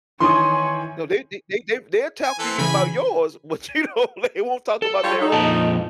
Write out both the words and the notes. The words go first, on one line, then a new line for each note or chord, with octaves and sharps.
No, they they they they've they'll talk to you about yours, but you don't they won't talk about their own.
D#3 E3 C#5 G#5 C6 C#6 D#6
G#5
E3 C4 A4
C#3 E3 G#5 B5
A4
G3 F4 C#5
D#4
F2 A#2 A5